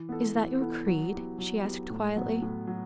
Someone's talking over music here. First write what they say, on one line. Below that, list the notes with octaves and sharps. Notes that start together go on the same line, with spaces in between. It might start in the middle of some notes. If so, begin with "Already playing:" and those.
"Is that your creed?" she asked quietly.
Already playing: E3
B3 E4 A4
E3
B3 E4 A4
F#3
B3 E4 G4
F#3
B3 E4 G4
A2
F#3 B3
A2
F#3